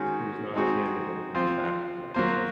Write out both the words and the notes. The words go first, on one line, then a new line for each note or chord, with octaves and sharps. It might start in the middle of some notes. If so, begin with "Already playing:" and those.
She was not a candidate in that election.
Already playing: D#3 G#3 C#4 F#4 C5
G#3 C4 D#4 F#4
F3 C4 F4 C5
F#3 A#3 F4 C5